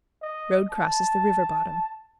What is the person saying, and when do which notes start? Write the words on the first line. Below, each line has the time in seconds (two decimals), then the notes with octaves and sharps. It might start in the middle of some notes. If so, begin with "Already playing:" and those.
Road crosses the river bottom.
0.22 D#5
0.71 A5